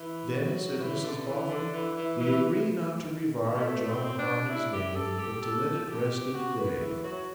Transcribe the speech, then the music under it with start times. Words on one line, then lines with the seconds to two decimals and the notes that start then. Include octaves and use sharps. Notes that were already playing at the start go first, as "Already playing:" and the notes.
'Then,' said Mrs Boffin, 'we agree not to revive John Harmon's name, but to let it rest in the grave.
Already playing: E3
0.34 F#3
0.81 E3
1.04 D3
1.27 E3
1.50 D3
1.73 E3
1.96 E3
2.19 E3
3.57 A3
3.88 C4
4.19 D4
4.49 E4
4.73 G4
4.96 A4
5.19 G4
5.42 A4
5.88 G4
6.34 F#4
6.57 B3
6.80 E3
7.03 F#3